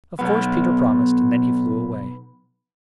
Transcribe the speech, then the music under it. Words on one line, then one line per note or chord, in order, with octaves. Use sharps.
Of course Peter promised; and then he flew away.
B1 B3